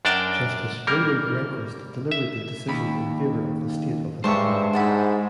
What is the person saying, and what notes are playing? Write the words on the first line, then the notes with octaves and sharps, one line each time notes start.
Justice William Rehnquist delivered the decision in favor of the State of Illinois.
F#2 D4 A#4 D5 G5 A5
G3 A#3 A#4
E5
D#2 B5
G2 G#3 C5 E5 A5 C#6
G#2 F#5 A5 B5